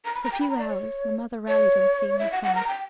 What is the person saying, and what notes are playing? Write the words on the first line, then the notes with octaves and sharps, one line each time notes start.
For a few hours, the mother rallied on seeing her son.
A#5
B5
A#5
G5
B5
A#5
D5
C#5
C#5
E5
F#5
F#5
A#5
G5